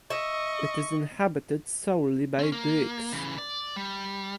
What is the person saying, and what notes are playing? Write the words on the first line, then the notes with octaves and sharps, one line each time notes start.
It is inhabited solely by Greeks.
D#5 E5 C#6
C4 C#4
A#3
C#3 E3
D5
G3